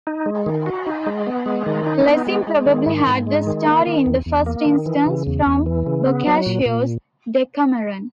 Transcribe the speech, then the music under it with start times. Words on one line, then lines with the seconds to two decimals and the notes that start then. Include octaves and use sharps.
Lessing probably had the story in the first instance from Boccaccio's "Decameron".
0.07 D#4
0.26 G#3
0.46 D#3
0.66 F#4
0.86 D#4
1.06 G#3
1.27 B3
1.46 G#3
1.66 D#3
1.86 D#4
2.06 B3
2.27 G#3
2.47 G#3
2.66 D#3
2.86 G#2
3.07 G#2
3.27 G#3
3.47 D#3
3.66 A#3
3.87 D#3
4.06 E2
4.26 E2
4.46 A#3
4.66 D#3
4.86 E3
5.06 C#3
5.27 E2
5.46 E2
5.66 E3
5.86 C#3
6.06 B3
6.27 F#3
6.46 A#2
6.66 A#2